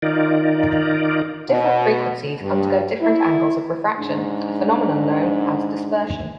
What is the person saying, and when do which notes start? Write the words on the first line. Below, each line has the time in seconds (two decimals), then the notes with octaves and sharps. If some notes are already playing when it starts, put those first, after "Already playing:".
Different frequencies undergo different angles of refraction, a phenomenon known as dispersion.
0.02 D#3 D#4 F4 A#4 D5
1.50 B2
2.42 G2
3.01 E4
3.99 G#2 C#3 D4